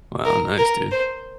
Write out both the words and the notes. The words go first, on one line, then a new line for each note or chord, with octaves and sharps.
Wow. Nice, dude.
A#4
A#4
C5